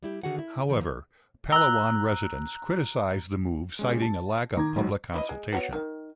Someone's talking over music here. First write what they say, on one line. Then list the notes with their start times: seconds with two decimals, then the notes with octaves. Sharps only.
However, Palawan residents criticized the move citing a lack of public consultation.
0.03 G3 E4 G4
0.23 D3 D#3 F#4 G#4 F#5
0.39 E4
0.69 D#3 F3
1.52 A#5 E6 F#6 G7
3.79 G#3 C#4 G4
4.02 A5
4.57 D#3 A#5 D6 G#6
4.76 A#1 G#2 F#3
5.14 E4 C5 D#5
5.29 G#3
5.53 B3 F#4 C#5
5.73 D#3